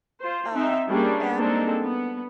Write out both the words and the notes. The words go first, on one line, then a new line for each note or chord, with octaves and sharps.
uh, and
F4 C5
C4 D#4 E5
G3 A#3 C#4 D4 G#4
G#3 A#3 C4 D4 D#4 A4
B3